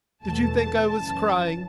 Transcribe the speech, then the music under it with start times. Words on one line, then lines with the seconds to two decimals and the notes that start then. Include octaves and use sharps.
Did you think I was crying?
0.22 E2 B2 A3 A5
0.56 A5
0.89 F#2 C#3 E3 A5